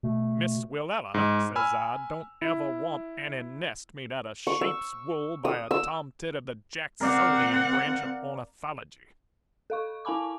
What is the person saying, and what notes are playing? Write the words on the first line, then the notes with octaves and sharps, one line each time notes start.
Miss Willella,' says I, 'don't ever want any nest made out of sheep's wool by a tomtit of the Jacksonian branch of ornithology.
B2 A3
G#2
G#5 B5 E6 F6
E4
C#6
E6
D#6
E6
C4 A#4 D5 F5 F#5
A4 F5 C#6
E4 F5 G#5 A5 B5 D6